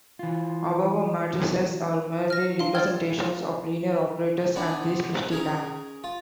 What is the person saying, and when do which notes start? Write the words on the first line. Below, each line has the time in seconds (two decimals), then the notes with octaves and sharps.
However, matrices are merely representations of linear operators, and these we still have.
0.19 E3 F4
2.30 F6 A#6
2.59 D#3 D4 F5 C6
2.75 F4 D5 G5 F6 G#6
3.20 F4
4.56 B3 C4 D4
5.31 C#4 G#4 A#4
6.04 F4